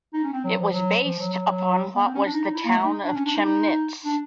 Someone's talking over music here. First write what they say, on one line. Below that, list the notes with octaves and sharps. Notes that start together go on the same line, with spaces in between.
It was based upon what was the town of Chemnitz.
D#4
C#4
C4
F#3
F3
F#3
F3
F#3
F#3
F#3
B3
C4
C#4
D4
D#4
D#4
E4
A#3
A3
D#4
D4
C#4
D4
D#4
D#4
D4